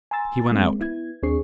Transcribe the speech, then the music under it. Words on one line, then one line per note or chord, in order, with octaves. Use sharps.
He went out.
G#5 A#5 C6 E6 A6
G#3 A#3 C4
B3 E4 G#6
D#2 C4 D4 G#4 C#6 C7